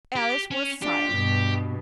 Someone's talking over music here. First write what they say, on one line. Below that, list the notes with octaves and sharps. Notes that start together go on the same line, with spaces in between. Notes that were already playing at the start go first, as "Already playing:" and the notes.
Alice was silent.
G4
C#4
D4 F4 G4
G2 B2